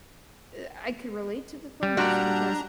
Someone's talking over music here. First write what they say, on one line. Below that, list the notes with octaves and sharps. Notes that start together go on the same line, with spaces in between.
eh, I can relate to the film mostly because
G3
A#2 D4 F#4 D5 A#5